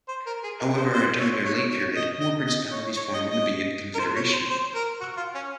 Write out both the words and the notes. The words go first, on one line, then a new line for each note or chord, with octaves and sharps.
However, during their late period, more principalities formed in the Buyid confederation.
C5
A#4
G#4
A#4
C5
C5
C#5
C#5
C#5
D#5
D#5
D#5
C#5
C#5
D#5
D#5
A#4
C5
C#5
C5
C5
A#4
F#4
F4
C#4